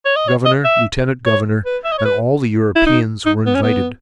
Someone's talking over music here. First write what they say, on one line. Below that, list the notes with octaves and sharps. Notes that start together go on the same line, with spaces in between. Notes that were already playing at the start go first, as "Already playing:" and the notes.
The Governor, Lieutenant-Governor, and all the Europeans were invited.
C#5
D#5
C#5
D#5
E5
C#5
B4
E5
D#5
C#5
B4
E4
D#4
D#4
B3
C#4
B3